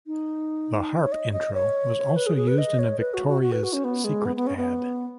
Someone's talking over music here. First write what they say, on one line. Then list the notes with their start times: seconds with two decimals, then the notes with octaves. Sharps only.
The harp intro was also used in a Victoria's Secret ad.
0.07 D#4
1.02 C#5
1.12 D#5
1.32 D#5
1.54 C#5
2.16 B4
2.27 G#4
2.37 G#4
2.48 B4
2.58 D#5
2.79 C#5
2.99 B4
3.14 F#4
3.29 F#4
3.42 F#4
3.52 B4
3.63 F#4
3.73 C#4
3.84 B3
4.04 G#3
4.25 B3
4.36 B3
4.47 C#4
4.57 B3